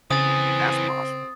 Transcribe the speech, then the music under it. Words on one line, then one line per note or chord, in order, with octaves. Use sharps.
That's possible.
C#3 E3 C4 G#4 D#6 A6